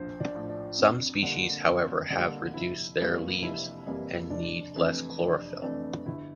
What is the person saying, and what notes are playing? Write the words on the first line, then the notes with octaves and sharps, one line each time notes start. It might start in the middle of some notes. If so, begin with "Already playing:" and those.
Some species, however, have reduced their leaves and need less chlorophyll.
Already playing: A#1 A2 F3 C5
D4
A2 F3
D4
F2
D3 G3 A#3
F2
D3 G3 A#3
F1 E4
F2 E3 G3 A#3
F1 E4
F2 E3 G3 A#3
F1 D4
F2 E3 A3
F1 D4
F2 E3 A3 D4
G1 E4